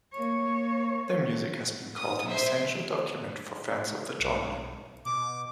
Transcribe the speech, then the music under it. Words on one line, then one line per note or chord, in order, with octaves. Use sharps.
Their music has been called an "essential document" for fans of the genre.
A#3 C#5
D#6
C5 E5
B1
B2 D6